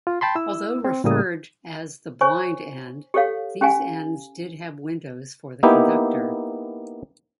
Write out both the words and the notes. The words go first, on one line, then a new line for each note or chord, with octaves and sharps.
Although referred as the "blind end," these ends did have windows for the conductor.
F4
G5 A5 B5 C6
E4 E6
C4
A2 C#3 G3 A#3 D#6
C5 C#5 G#5 C#6
G4 A4 C#5 F5
C#4 G4 F5 G#5
A#3 B3 D#4 E4 G4